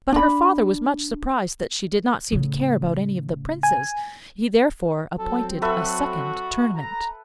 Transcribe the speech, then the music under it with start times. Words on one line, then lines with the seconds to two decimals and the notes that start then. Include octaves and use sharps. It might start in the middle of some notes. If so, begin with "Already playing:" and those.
But her father was much surprised that she did not seem to care about any of the Princes; he therefore appointed a second tournament.
0.12 D4 B5
2.32 A2 C#3
3.63 G#5
5.19 F#3 C4 A4
5.62 F#4 A4 B4 E5
6.76 A#5